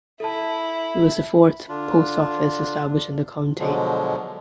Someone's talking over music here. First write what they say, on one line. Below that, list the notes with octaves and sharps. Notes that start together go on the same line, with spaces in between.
It was the fourth post office established in the county.
E4 A4 A5
D3 D4 F4
B2 D3 F3 F#3 G#3